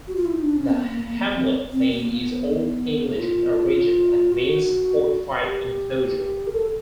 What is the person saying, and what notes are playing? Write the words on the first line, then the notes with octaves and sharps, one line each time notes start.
The hamlet name is Old English in origin, and means 'fortified enclosure'.
F#4
F4
E4
D#4
D4
C#4
B3
A#3
A#3
B3
C4
C4
A#3
B3
E4
F4
F#4
G4
A#4
A4